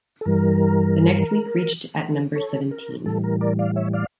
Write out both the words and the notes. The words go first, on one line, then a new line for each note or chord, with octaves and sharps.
The next week reached at number seventeen.
A4
G2 E3 G3 A#4
A4 C#5
A#4
A2 E3 G3 A4
A#4
A#4 D5
D5 F5
C#5 E5
D5 F5